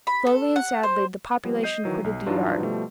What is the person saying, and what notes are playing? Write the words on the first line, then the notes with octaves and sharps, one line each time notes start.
Slowly and sadly the population quitted the yard.
B5
A4
F#5
C5
F3 G3 B3
D#5 G6 C7 D#7
D#3 E3 F#3
B1
G2 E3 F#3 D4 D#4 F4
B2 F3 G3 A3